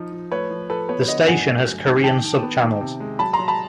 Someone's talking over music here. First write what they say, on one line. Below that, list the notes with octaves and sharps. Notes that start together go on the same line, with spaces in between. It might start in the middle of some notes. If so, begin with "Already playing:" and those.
The Station Has Korean Subchannels.
Already playing: F3 D#4
F3
A3 B4 C#5
F3
F3 A4 B4
B3 B4 C#5
D3 C#5 D#5
G2 F#5 G#5
A3
F#3
D#3
D#3 G5 A5
D#3
B3
D#3
C3
G#3
F#3 A5 B5
A#5 C6
F#3
A5 B5